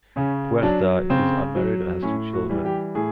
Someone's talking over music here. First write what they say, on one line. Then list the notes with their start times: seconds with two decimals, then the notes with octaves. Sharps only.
Puerta is unmarried and has two children.
0.16 C#3 C#4
0.63 F#3 D4
1.10 C#3 C4
1.56 F#3
2.02 A2 C#4
2.33 F#4
2.49 E3 G3
2.65 G4
2.95 A2 G#4